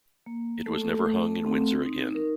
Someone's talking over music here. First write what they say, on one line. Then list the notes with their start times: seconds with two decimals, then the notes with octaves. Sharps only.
It was never hung in Windsor again.
0.26 A#3
0.66 A3 A4
1.06 A3
1.46 C4
1.86 D#4
2.15 A#4